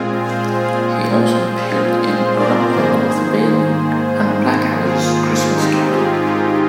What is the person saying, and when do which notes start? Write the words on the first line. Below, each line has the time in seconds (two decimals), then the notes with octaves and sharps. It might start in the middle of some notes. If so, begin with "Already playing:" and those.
He also appeared in "Rumpole of the Bailey" and "Blackadder's Christmas Carol".
Already playing: A#2 G#3 C4 F4 G#4
0.25 G#4 C5
0.61 F4 G#4
1.66 F4 G#4
2.02 G#4 C5
2.38 A#4 D5
2.72 G#2 D#3 A#3 G#4 C5
4.83 F4 G#4
5.55 G#2 D#3 G#3 C4 D#4 G4
5.90 F4 G#4
6.24 D#4 G4